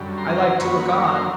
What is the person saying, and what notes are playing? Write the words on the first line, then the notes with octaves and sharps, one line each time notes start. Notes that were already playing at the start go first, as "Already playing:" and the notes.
I like to look on.
Already playing: F#2 D3 G3
A#5 C6
F#2 D#3 F#3 A#3 B5 C#6
D6
C#6
A#5 C6